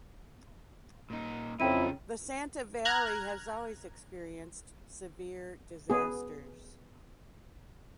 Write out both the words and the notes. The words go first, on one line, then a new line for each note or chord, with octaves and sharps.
The Santa Valley has always experienced severe disasters.
A#2 D#4
F2 C#3 D#4 E4 C#5 G5 D#7
A#5 F6 F#6 G#6
B3 G#4